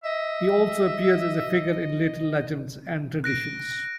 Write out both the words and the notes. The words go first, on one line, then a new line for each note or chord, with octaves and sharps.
He also appears as a figure in later legends and traditions.
D#5 E5
F#6 A#6 D7